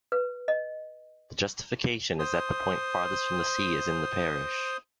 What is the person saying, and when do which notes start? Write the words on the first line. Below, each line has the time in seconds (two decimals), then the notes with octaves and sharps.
The justification is that the point farthest from the sea is in the parish.
0.12 B4
0.48 D#5
2.19 C5 C6 D#6